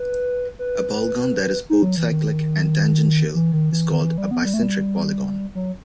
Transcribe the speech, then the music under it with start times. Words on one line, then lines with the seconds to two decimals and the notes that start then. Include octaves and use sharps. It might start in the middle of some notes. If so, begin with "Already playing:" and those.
A polygon that is both cyclic and tangential is called a bicentric polygon.
Already playing: B4
0.59 B4
1.70 D#4
1.83 F#3
1.97 E3
2.11 D#3
3.35 E3
3.53 D#3
3.72 E3
3.90 D#3
4.04 E3
4.18 G3
4.31 B3
4.45 G3
4.54 A3
4.63 G3
5.55 F#3